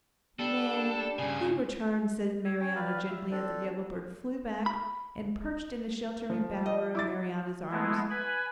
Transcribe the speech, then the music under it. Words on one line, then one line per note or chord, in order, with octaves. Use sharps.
"Nay, he returns," said Marianna, gently, as the yellow bird flew back and perched in the sheltering bower of Marianna's arms.
G3 D4 A4
G2 C#3 G#5
C#5 E6
C#4 C#5 G5
G4 B4 D5 F5
E5
C4 D4 A4
B5
F3
D#5
E4 D6 A6
G#3 A3 B3 E4
B4 G#5 B5